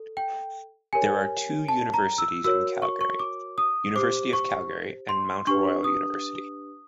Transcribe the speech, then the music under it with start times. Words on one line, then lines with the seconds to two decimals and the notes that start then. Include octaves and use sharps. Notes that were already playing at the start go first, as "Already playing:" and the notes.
There are two universities in Calgary: University of Calgary and Mount Royal University.
Already playing: A4
0.17 G5
0.93 G4 A#4 C#5 G#5
1.68 A5
1.94 A#5
2.18 E6
2.44 F#4 A#4 C#5 E6
2.82 C#6
3.01 C#6
3.19 D6
3.58 D#6
3.95 G4 C5 D6
4.33 C#6
5.09 C6
5.47 D4 G4 B4 C#6
5.84 D#6